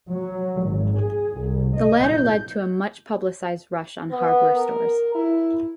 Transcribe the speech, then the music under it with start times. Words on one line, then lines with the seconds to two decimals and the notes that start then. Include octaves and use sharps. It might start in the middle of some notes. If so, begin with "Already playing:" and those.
The latter led to a much-publicized rush on hardware stores.
0.11 F#3
0.64 G#1
0.99 G#4
1.41 C2
1.77 D#5
2.06 G6
4.11 B3
4.56 A#4
5.15 E4